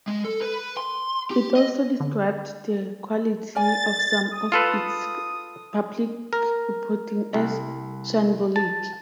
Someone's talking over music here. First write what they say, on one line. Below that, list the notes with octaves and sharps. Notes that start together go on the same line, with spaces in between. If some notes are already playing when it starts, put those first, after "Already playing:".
It also described the quality of some of its public reporting as "shambolic".
G#3
A4
B4
C6
G4
D#5
D3
A#4 D5 G#5 A6
D#6
F4 A4 B4
A#4
C2
A5